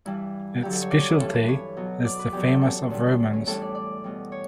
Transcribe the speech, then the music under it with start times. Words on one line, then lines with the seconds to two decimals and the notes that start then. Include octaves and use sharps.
Its speciality is the famous of Romans.
0.05 G2 E3 G3 E4
0.62 G2 D3 F#3 G4
0.71 A4
0.82 C#5
0.90 D5
1.01 C#5
1.10 B4
1.19 G2 E3 G3 A4
1.34 B4
1.48 C#5
1.77 B2 F#3
2.05 D5
2.19 B4
2.33 E2 B2 F#3 G4
2.48 A4
2.61 A4
2.90 E2 D3 G3
3.33 C#4
3.47 A2 E3 G3 A4
3.62 D5
3.75 D5
4.04 B2 G3
4.32 C#5